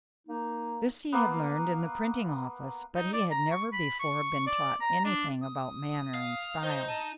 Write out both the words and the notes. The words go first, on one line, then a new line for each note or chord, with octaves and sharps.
This he had learned in the printing office, but he had never before been taught any thing about manner and style.
A#3 D#4
A#3 B3
D#4
D5
A#5
C#6
B5
C#6
D5
A#5
D4
D#6
F5
D#4 C5
A5 D#7